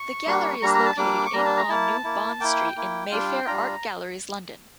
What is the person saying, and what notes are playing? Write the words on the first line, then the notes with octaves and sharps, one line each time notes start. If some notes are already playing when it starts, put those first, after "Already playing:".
The gallery is located in on New Bond Street in Mayfair, art galleries london.
Already playing: C#6
G3 A#3 D4
G3 A#3 D4 A#5
A#5
A5
G3 A#3 D4 D6
C#6
G3 A#3 D4 A#5
A5
A#5
A#3 E4 A5
A#3 E4
A#3 E4 G5
A#3 E4
G3 D4 F4
G3 D4 F4 A#5